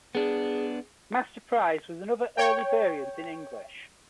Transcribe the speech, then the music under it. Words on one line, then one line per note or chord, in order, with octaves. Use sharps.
"Masterprize" was another early variant in English.
B3 D4 G#4
C#5 G5